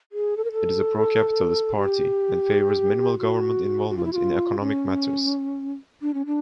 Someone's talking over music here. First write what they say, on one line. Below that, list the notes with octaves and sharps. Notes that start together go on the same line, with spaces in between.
It is a pro-capitalist party and favours minimal government involvement in economic matters.
G#4
A4
A#4
A4
G4
F#4
F#4
F4
E4
F#4
F4
C#4
D4
C#4
D4